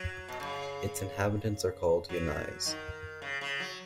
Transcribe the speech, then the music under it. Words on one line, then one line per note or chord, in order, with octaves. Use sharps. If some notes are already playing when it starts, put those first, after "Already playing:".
Its inhabitants are called "Yonnais".
Already playing: F#3
B2
C#3
F#3
D#3
C#3
C#3
F#3